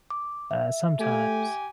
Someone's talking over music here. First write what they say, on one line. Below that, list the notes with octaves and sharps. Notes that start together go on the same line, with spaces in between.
uh, sometimes.
D6
E5
A3 G4 G#5